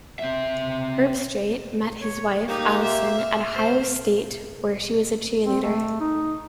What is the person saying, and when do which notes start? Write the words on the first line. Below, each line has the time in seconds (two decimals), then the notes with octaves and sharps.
Herbstreit met his wife, Allison, at Ohio State, where she was a cheerleader.
0.19 C4 E5
2.01 C#5
2.48 A#3 D#4 G4
2.82 E5
3.18 F6
3.53 C5
5.45 C4
5.63 A3
6.00 D#4